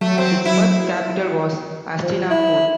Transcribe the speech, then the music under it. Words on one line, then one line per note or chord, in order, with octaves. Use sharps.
Its first capital was Hastinapur.
F#3 A3
C4
E4
F3
E4